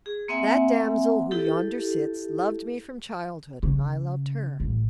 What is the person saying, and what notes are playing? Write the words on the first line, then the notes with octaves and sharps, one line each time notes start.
That damsel who yonder sits, loved me from childhood and I loved her.
G#4
A#3 C4 E5 F#5 G#5
E4 G4 A4
C#3
A1